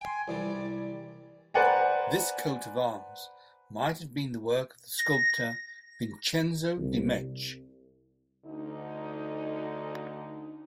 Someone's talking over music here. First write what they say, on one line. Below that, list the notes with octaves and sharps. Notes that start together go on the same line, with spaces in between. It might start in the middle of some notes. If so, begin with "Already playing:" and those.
This coat of arms might have been the work of the sculptor Vincenzo Dimech.
G5 G#5 C6
C2 E3 G3 D5
B4 C5 D5 F#5 G#5 A#5
A#6
C2
D2 D3 D#4